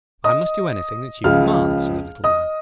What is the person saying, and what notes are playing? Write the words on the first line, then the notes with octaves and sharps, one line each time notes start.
'I must do anything that you command,' said the Little Man.
D#5 D#6
C#2 C#3 F3 F5 F6
D#5 D#6